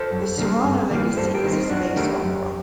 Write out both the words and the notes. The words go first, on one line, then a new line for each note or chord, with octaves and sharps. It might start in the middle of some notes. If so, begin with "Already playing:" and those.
"The Serrano Legacy" is a space opera.
Already playing: A4 C5
F#2
D3 G3 A#3
G2
D#3 G3 A#3
G2 A4 C5
G4 A#4
D#3 G3 A#3
C4 D#4
F#2 D4 F#4
D#3 A3 G4 A#4
F#2